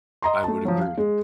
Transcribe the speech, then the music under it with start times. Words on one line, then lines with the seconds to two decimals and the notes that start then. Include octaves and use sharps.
I would agree.
0.22 D#5 A#5 C6
0.44 A3 A5
0.65 F3 F#3
0.81 F5
0.98 G#3